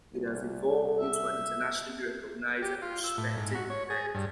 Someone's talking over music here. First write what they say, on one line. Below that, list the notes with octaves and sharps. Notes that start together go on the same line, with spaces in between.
It has evolved into an internationally recognized and respected event.
C2
E5
G4
F4
E6
A2
G#2
F#4
C#5
G#4
G2